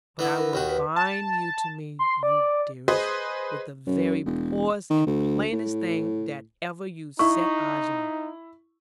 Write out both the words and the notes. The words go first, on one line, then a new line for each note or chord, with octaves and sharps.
But I will bind you to me, you dearest, with the very poorest and plainest thing that ever you set eyes on.
E3 B3 E4
A#4
D#2 D#3 F#4
B4
A5
C6
D5
G#4 B4 C5 D#5
F#2
E1
D#3
D2
A2
D#4 E4 C#6